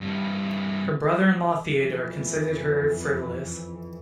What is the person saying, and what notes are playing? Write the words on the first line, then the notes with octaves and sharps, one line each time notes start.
Her brother-in-law Theodore considered her frivolous.
G2 E3
F2 E3